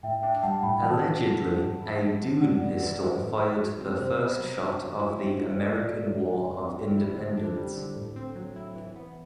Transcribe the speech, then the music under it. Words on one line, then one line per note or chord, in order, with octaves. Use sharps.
Allegedly a Doune pistol fired the first shot of the American War of Independence.
A2 E5 G5
D4 E5 G5
G3 F#5 A5
A2 G5 B5
E3 F#5 A5
D4
G3
E3
F#3
E4
A3
F#3
C3 D5 F#5
B3 D5 F#5
E3 B4 D5
E4 C5
A4
A2 B4
A3
F#3
C4
C3 C5
B3
F#3
D4
F#3
E4
C4
F#3
A2 B4 D5
A3
F#3
D4
D3
C4
G3
E4
D3 C5
D4
G3
D3
A2
C4
F#3
E4
E3
B3